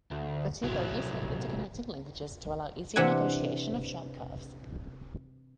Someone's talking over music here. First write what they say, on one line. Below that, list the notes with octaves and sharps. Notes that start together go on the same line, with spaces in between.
The two bogies had interconnecting linkages to allow easier negotiation of sharp curves.
D2
C2 F#3
C3 E3 D4 F#5 G#5